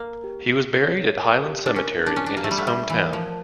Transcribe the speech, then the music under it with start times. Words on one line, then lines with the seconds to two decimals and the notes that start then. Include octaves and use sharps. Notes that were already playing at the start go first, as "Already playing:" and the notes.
He was buried at Highland Cemetery in his hometown.
Already playing: A#3 A#4
0.24 G4
0.54 G4
0.85 C#5
1.15 A#4
1.45 G4
1.66 D4
1.76 C#4 A#4
2.06 D4 A5
2.16 C#4
2.26 D4
2.37 A#3 G4
2.44 A3
2.51 G3
2.58 A3
2.67 G3 E5
2.90 E3
2.98 A#4
3.13 F3
3.28 A5